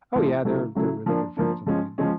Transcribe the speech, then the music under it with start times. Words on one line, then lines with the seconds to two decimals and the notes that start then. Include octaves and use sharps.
Oh, yeah, they're they're really good friends of mine.
0.15 A2 F3 A3 C4 E4
0.45 C#3 F#3 A3 C#4 E4
0.75 C#3 F#3 A3 C#4 E4
1.06 F3 A#3 D4
1.37 F3 A#3 D4
1.66 F3 G#3 C#4
1.98 F3 G#3 C#4